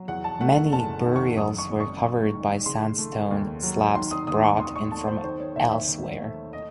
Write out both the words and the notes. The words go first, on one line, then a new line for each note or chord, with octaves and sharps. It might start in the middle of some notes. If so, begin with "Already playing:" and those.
Many burials were covered by sandstone slabs brought in from elsewhere.
Already playing: F#3
E2 F#5
A5
A3 F#5
F#5
F#1 A5
D#3
C#6
F#2 D#6
C#6
F#1
C#6
F#1
D#3
C#3 C6
A3
D#2
F#3
D#3 C6
D#6
D#2 D#6
C#6
D#2 C6
C#6
A3 A5
C5
D#3 C5
C#5
D#2 E5
E5
D#2
A3
D#5